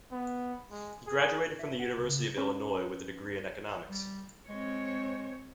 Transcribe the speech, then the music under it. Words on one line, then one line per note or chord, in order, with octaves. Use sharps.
He graduated from the University of Illinois with a degree in Economics.
B3
G#3
G#4
E5
F#5
C2
C#3
C#4 B4
G3
G#3 C4 C#5